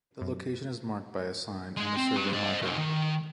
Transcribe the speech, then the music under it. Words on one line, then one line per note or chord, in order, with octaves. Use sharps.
The location is marked by a sign and a survey marker.
F#2
G#3
C4
G3 B4
C5 D#5
A3 D#4
D#3